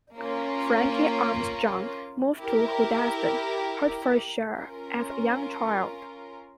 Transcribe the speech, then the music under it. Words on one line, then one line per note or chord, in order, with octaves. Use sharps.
Frankie Armstrong moved to Hoddesdon, Hertfordshire, as a young child.
A#3 C#4 F4
E4 G4 A#4
C#4 F4 A#4